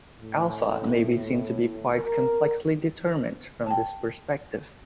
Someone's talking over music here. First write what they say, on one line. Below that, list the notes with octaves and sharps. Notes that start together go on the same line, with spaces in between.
Alpha may be seen to be quite complexly determined from this perspective.
A2
A#4
G5 A5